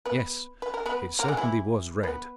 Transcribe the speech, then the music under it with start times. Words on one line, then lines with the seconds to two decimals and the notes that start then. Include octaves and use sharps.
Yes! it certainly was red!
0.06 B3 B4
0.62 B4
0.74 A#4
0.86 B3 B4
1.19 A#3 A#4
1.28 G#3 G#4
1.37 E3 E4
2.03 B3 B4